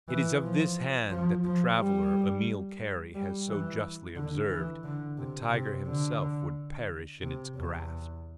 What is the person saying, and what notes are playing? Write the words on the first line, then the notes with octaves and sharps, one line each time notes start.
It is of this hand that the traveler, Emile Carrey, has so justly observed: "The tiger himself would perish in its grasp."
E3
F3
F3
F3
G3
G3
E3
D3
E3
D3
C3
C3
D3
C3
E2